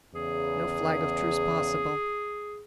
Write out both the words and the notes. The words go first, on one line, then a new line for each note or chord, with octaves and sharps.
No flag of truce possible.
E2 C#3 G#4